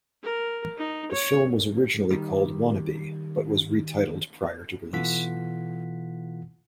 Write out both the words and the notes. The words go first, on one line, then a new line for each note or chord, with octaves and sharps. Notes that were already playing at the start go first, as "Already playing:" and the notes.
The film was originally called "Wannabe", but was retitled prior to release.
A#4
D#4
C#5
D#3 G3
B2 E3 F4 A4 F#5 B6